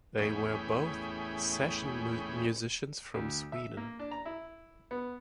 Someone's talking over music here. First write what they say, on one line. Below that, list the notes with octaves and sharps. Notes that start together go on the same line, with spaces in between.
They were both session-musicians from Sweden.
E2 A2 C#4 G#4 G5 B5
D2
E5
A#3
D4
A#5
E4
B3